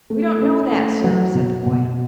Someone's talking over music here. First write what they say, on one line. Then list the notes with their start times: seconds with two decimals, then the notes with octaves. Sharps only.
"We don't know that, sir," said the boy.
0.10 A3
0.41 C#4
0.72 A3
1.04 F#3
1.35 B2
1.66 B2